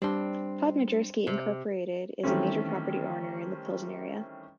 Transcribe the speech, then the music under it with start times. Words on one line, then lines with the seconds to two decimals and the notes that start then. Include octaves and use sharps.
Podmajersky incorporated is a major property owner in the Pilsen area.
0.02 G3 C4 D4 C6
1.27 C3
2.23 D#3 E3 G3 A3 C4 C#4